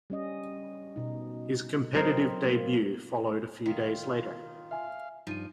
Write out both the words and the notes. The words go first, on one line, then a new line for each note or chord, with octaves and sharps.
His competitive debut followed a few days later.
G3 C#4 D#5
B2 D#4
F#3 C4 A#4 C5 D#5
A#3
D#3 F4
E5 F5 G#5
G2 F3 D#4 D#7